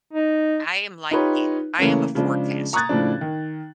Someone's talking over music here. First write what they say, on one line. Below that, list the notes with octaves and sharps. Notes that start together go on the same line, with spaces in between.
I am like you, I am a forecaster.
D#4
D#4 F4 G4 B4 C#5
C#3 E3 A3 A#3 C#4
C#3 F3 G#3 D4
A#5 C#6 D#6 F#6 G#6 A6
A2 C#3 F3 D4
D#3